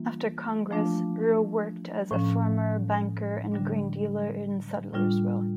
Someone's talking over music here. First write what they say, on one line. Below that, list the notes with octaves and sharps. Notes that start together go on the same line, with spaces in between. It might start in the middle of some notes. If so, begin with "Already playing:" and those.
After Congress, Roe worked as a farmer, banker, and grain dealer in Sudlersville.
Already playing: E3 G3 A#3 D4 F4
F3 A3 D4 F4
A2 F3 C#4
D3 G3 D4
A2 G3 D4 F4